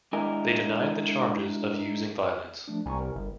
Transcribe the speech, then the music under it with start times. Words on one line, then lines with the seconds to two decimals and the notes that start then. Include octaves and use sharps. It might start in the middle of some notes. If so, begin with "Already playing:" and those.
They denied the charges of using violence.
0.13 G#3 D4 E4 A#4 D#5 G#5
2.68 F3 A3 D4
2.86 C2 G#5 A#5 C#6
3.00 A#4
3.15 G1